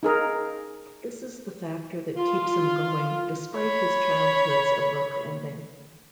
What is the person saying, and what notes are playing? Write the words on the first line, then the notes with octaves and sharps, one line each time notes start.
This is the factor that keeps him going despite his childhood's abrupt ending.
D#4 G#4 A#4
F4
C#5 B5